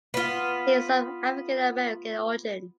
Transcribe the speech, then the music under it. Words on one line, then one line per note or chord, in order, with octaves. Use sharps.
He is of African-American origin.
B3 F4